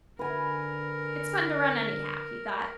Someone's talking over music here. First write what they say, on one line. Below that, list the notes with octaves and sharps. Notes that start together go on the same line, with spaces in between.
"It's fun to run, anyhow," he thought.
D3 A#4 B4 G#5